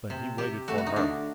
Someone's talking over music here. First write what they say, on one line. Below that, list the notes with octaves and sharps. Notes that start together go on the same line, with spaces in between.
But he waited for her.
C3
C3 G4
A3 F#4
F#4
D#4
D3 D4